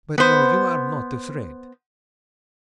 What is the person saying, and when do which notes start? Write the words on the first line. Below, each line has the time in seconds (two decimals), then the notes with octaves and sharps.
But no, you are not afraid.
0.18 B3 C5